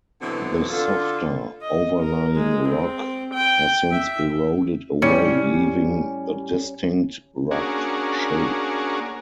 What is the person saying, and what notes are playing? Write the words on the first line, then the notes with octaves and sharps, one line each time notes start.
The softer overlying rock has since eroded away leaving the distinct rugged shape.
B2 D3 E3 F#3 B3 C4
D3 F4 A4
D#5
A#4
G#3
C4
G5
E5
A2 G3 C#4
A#3 C#4 D4 F#4 G#4